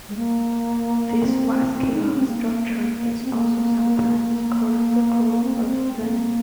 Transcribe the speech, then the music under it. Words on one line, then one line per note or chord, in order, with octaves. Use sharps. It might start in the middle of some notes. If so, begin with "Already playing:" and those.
This vascular structure is also sometimes called "circle of Zinn".
G#3
A#3
C4
C4
D#4
C#4
C4
A#3
C4
A#3
A#3
C4
A#3
C4
C4
A#3